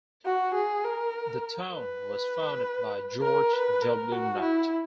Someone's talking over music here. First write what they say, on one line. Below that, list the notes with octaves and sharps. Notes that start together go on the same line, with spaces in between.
The town was founded by George W. Knight.
F#4
G#4
A#4
B4
A#4
B4
A#4
F#4
E4